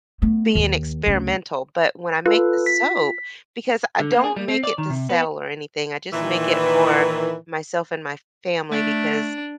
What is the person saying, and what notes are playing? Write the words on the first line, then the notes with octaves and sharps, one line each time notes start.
being experimental. But when I make the soap, because I don't make it to sell or anything, I just make it for myself and my family because
A3 B3
D#2
D2 C#3
F4 A4 B4
B6
D3
A#3
G#4
G3
C4
D5
D#3
C3
B3
A#2 D#3 E3
A3 D4